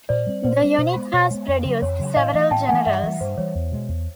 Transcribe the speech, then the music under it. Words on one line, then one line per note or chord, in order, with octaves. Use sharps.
The unit has produced several generals.
A#2 C5 D5
G3 C4
A#2 C5 D5
G3 C4
B2 C5
G#3 B3
B2 C#5
G#3 B3
F2
C#3 F#3
F2 C#5
C#3 F#3
A2 D#5 F5
E3 A3
A2 G5 A5
E3 A3 F#5 G#5
G2 E5 F#5
E3 G3
G2 C5
E3 G3 C#5
E2
B2 G#3
E2